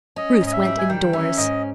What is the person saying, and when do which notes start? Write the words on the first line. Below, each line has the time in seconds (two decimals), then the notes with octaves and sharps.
Ruth went indoors.
0.16 C#4 D#5
0.41 G#2
0.47 D#5
0.53 E5
0.65 G3
0.79 G#5
0.89 D#3 G5
1.13 C#4 E5
1.37 G#2 D#5